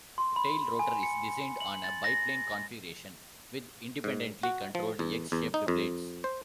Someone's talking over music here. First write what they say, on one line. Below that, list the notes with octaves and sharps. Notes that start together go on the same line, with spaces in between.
The tail rotor is designed on a biplane configuration, with independently controlled X-shaped blades.
C6
B5
G#5
C#7
F#7
A6
A#6
G#2
F#4
F3
E2
E2
D#4
F2
C5